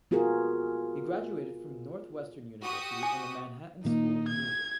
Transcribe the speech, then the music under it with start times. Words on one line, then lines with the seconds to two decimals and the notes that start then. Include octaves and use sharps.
He graduated from Northwestern University and the Manhattan School of Music.
0.11 B3 F4 F#4 G#4 A#4
2.63 F#4 G4 D#6
3.03 G#5
3.85 A#2 D#3 A#3 D#4
4.29 G#6